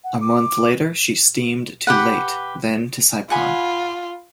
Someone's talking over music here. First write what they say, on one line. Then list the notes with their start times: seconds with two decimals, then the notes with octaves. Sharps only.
A month later she steamed to Leyte, then to Saipan.
0.04 F#5
0.21 D6
1.87 G4 B4 F#5
3.30 F4 F#5 G#5 B5